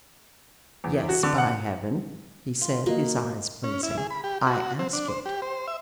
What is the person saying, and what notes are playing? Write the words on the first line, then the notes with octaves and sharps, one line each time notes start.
"Yes, by heaven," he said, his eyes blazing, "I ask it."
E2
F#4
D3
F#5
F4
A#3 F#4 D#5
C#4
E4
G#4
B5
G4
F#4
C4
D4
C5
G4
C5
E5